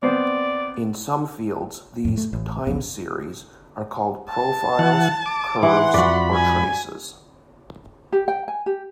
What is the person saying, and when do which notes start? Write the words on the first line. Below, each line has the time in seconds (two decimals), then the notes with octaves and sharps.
In some fields these "time series" are called profiles, curves, or traces.
0.03 B3 C4 C5 D5
2.05 F2 A2
2.17 A3
2.33 A1
2.67 B1 F2 B2
4.30 A5
4.79 E3 F#5
5.26 D6
5.63 E3 F#5 C6
5.94 F2 F#4 D5 B5
6.33 G#5
8.12 G4
8.28 G5
8.48 G#5
8.66 G4